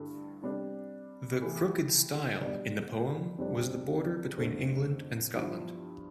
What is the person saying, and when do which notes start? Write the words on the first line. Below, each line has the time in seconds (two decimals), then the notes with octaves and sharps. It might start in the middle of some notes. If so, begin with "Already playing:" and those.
The "crooked stile" in the poem was the border between England and Scotland.
Already playing: G2 D3 A3 E4
0.43 C3 G3 D4
1.42 E3 A3 E4 G4
2.40 B2 G3 D4
3.38 F2 C3 G3 D4
4.37 F2 D3 A3
5.35 G2 F3 B3 E4